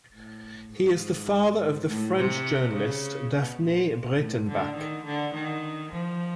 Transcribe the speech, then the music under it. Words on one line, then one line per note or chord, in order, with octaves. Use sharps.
He is the father of the French journalist Daphnee Breytenbach.
A2
G#2
G#2
A2
C3
C#3
B2
A#2
A2
D3
D#3
D3
D#3
F3